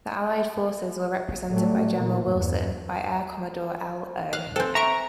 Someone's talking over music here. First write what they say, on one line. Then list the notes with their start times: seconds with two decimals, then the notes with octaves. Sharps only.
The Allied forces were represented by General Wilson, by Air Commodore L. O.
1.48 A2 F#3 G3 A3
1.95 A#2 E3 A#3
2.30 E2 G2
4.33 F5 F#6
4.56 C4 A4 C5 G5 G#5
4.75 E5 A#5 C#6 D7